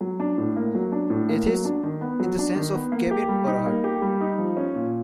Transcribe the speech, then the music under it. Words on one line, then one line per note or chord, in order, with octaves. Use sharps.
"Athis" in the sense of "cabin or hut".
F#3
D4
A2
A#3
F#3
D4
A2
A#3
F#3
D4
D#3
B3
F#3
D4
D#3
B3
A#3
G4
G3
D#4
A#3
G4
G3
D#4
F3
C#4
A#2